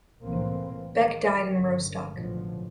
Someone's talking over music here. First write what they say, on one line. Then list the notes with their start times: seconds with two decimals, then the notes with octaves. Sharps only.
Beck died in Rostock.
0.22 C2 A2 E3 A#3 C4
0.93 D#3 G#3
1.52 G1 F#2
2.13 A1 G#2 B2 D3 F3 F#3